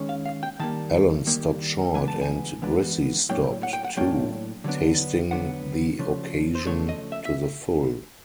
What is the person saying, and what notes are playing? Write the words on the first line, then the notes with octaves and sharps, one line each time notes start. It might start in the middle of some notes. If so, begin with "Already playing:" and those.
Ellen stopped short and Grissie stopped, too, tasting the occasion to the full.
Already playing: D#3 G#3 C#4
F5
F5
G5
D#3 G3 A#3 A5
D#3 G3 A#3
E3 G#3 B3 D4 G#5
A5
G#5
E3 G#3 B3 D4
A2 F#3 A#3 D4 G5
F#5
G5
F#5
A2 F#3 A#3 D4 G5
D3 F#3 B3 D4
D3 F#3 B3 D4 F#5
C#3 F3 A3 D4
C5
C#3 F3 A3 D4 C#5
D#5
E5
E5